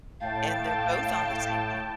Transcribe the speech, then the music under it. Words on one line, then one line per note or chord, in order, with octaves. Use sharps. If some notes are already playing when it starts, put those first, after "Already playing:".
and they're both on the same pa
A2 F5 G5 A5